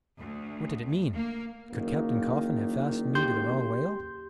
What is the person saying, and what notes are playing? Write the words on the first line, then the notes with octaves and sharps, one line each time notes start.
What did it mean? Could Captain Coffin have fastened me to the wrong whale?
D2
A#3
F#1 D#3 A#3
G4 C6 G6